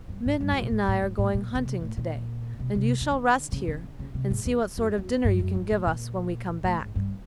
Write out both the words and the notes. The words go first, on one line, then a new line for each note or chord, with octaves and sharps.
"Midnight and I are going hunting to-day, and you shall rest here, and see what sort of dinner you can give us when we come back."
G2
G#2
G2
F#2
A#2
A2
A2
G#2
A2
A#2
C#3
C3
A2
A#2
B2
C3
C#3
D3
C#3
C#3
D3
C#3
C3
G#2
E2
F#2
F#2
G2
F#2
G2
A2
A#2
A2
G#2
G2